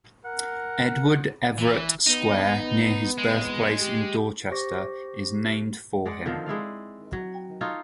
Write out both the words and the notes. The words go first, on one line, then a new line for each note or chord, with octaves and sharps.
Edward Everett Square, near his birthplace in Dorchester, is named for him.
A#4 F#5
E3
B3 D#4
G#3
G4
G4 C5 C#6 A#6
G#3 D5 F#5
D3 D#3 F3 C4
G#3 E4 D5 F5
F#3
D#4 F4 A4 C#5